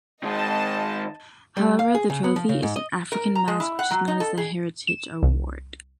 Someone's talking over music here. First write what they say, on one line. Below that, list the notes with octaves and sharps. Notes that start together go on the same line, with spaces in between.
However, the trophy is an African mask which is known as the Heritage Award.
D#3 G#3 D#5 A5
G3
F5
G#4
C#3
B3
F3
C#3
G#2
D#5
A#4
A#5
G#3
E4
F#5
F#3
D#4
A4
G#4
E7
C2